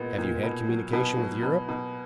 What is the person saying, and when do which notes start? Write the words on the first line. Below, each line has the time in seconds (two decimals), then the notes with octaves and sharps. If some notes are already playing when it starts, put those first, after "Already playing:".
Have you had communications with Europe?
Already playing: A#2 G#3 B3
0.18 A#2
0.43 B2
0.69 F#3
0.93 B2
1.18 F#3
1.43 B2
1.68 B2